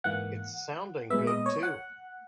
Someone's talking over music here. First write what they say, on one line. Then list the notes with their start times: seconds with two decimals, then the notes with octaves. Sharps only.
It's sounding good too.
0.04 G#2 E3 A#3 F#5
1.10 A#2 G#3 B3 E5
1.27 D#5
1.46 C#5
1.63 F#5